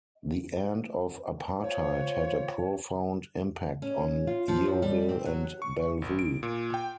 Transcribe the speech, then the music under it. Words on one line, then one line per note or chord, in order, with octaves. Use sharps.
The end of apartheid had a profound impact on Yeoville and Bellevue.
F4 C5 C#5
C#4
F4
F3
F#2
G3
C4
F#3
C#6
G#1
D7
A#2
G5